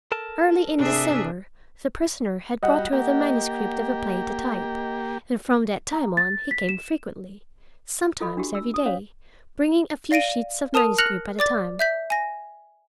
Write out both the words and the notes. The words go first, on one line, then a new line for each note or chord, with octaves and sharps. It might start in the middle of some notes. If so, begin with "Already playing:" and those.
Early in December the prisoner had brought her the manuscript of a play to type, and from that time on he came frequently, sometimes every day, bringing a few sheets of manuscript at a time.
A4 A#4 A5
C3 D4 G#4 E5
G3 F#4 D#5 F#5
A#3 G4
A#5
A6
B6
E7
F4 A4 D#5 B5
D4 F#4 G4
E6
D#6
C#4 C#5 F5
D5 F5 A#6 D7 D#7
A#4 A5 D#6 D#7 F7
F6 F#6 A#6 C#7 F7 F#7
D5 D6 A6
E5 G6 B6
G#5 A#6